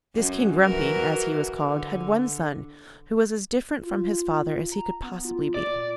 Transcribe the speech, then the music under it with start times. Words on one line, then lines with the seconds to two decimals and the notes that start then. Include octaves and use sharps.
This King Grumpy, as he was called, had one son, who was as different from his father as he could possibly be.
0.15 F#2
0.63 E3 F#4 A#4
1.59 D3
3.82 F4
4.72 A#5
5.03 B3
5.25 F4
5.54 A#2 D5